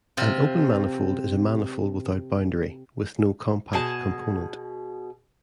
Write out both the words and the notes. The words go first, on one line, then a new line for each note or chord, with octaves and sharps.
An open manifold is a manifold without boundary with no compact component.
C3 F4
B2 G#4 A5